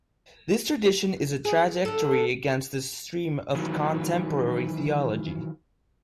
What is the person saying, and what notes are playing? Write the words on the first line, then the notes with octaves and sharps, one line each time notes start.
This tradition is a trajectory against the stream of contemporary theology.
G#4
D3 A4
D#3 E3 F#3